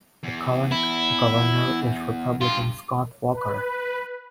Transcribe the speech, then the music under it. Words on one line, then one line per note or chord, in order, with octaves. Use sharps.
The current governor is Republican Scott Walker.
E2
E4
G2 F4
B4